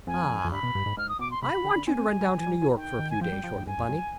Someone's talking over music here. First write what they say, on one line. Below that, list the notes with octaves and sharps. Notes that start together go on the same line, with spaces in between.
Ah-- I want you to run down to New York for a few days shortly, Bunny.
F2 G#5
F2
G2 B5
B2
G2
G#2
G#2 F6
D#6
B2 D6
C6
C3 B5
D3
D3
C4 G#5
C4
G#3
G3
G3
F3
D#3 G5
D#3
G#5
F3 G5
G3
F3
G2
G2 G#5
F2
G2